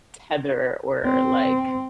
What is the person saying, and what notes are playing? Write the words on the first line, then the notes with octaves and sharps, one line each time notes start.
tether or, like,
C4